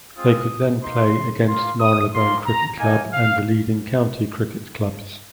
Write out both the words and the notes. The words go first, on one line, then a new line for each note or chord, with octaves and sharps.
They could then play against Marylebone Cricket Club and the leading county cricket clubs.
G#3 C4 F4 D#6
A#3 D#4 C6
A#3 F4 C6
D#6
A#3 F4 C6
A#5
A#3 D#4 G#5
F5